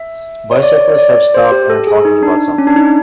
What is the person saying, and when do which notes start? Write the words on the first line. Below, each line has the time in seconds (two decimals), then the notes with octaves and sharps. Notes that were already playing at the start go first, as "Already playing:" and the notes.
Bicyclists have stopped and are talking about something.
Already playing: E5
0.51 C#5
0.63 D5
0.81 C#5
0.99 D5
1.34 C5
1.52 G4
1.70 A4
1.87 G#4
2.05 D#4
2.23 D4
2.58 C#4
2.67 D4
2.76 D#4